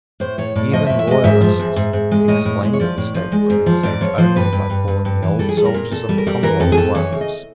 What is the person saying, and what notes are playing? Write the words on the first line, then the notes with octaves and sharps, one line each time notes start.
Even Royalists exclaimed that the state could be saved only by calling the old soldiers of the Commonwealth to arms.
A2 C5
A2 C#5
A2 D5
F3 D#5
A2 E5
E5
G#3 D#5
G#2 E5
F3
G#2
G#2
G#2
G#3
A2 D#5
A2
G#3
C#5
F3 D5
A2
F3
G#3
G#2
F3
G#2 D5
F3 C#5
F3 C5
G2 B4
G2
G2
G2
G2
E3
G3 A4
G#4
G3 A4
A#4
A#2
A#2 A4
G3
A#4
G3
E3 A#4
F2 A4
G#4
F2 A4
E3 C#5
C#3
D#5